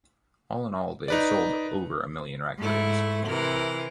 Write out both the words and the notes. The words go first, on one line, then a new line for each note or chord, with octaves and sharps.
All in all, they have sold over a million records.
D#4 B4 D5
G#2 A3 E4
C3 E3 A#4